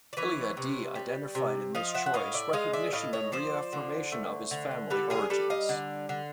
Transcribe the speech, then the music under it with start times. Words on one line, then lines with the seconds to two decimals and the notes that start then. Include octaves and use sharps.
Ilaiah d identified in this choice recognition and reaffirmation of his family origins.
0.13 D5
0.17 E3 B4 C#5
0.57 C3
0.95 G3
1.35 C3
1.75 F3 D#5 F5
1.94 E5 F#5
2.06 F#5
2.14 A2 D#5 F5
2.34 D5 E5
2.53 G#3 D#5 F5
2.73 D5 E5
2.93 A2 D#5 F5
3.13 C#5 D#5
3.32 F3 C5 D5
3.73 D3
4.12 A3
4.51 D3
4.90 G3 A4 B4
5.10 G#4 A#4
5.30 G3 A4 B4
5.50 D#5 F5
5.69 D3
6.09 D3